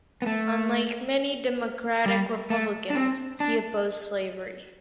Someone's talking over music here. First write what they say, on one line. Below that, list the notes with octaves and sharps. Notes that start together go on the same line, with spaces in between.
Unlike many Democratic-Republicans, he opposed slavery.
B3
A3
G3
A3
D4
C4
D4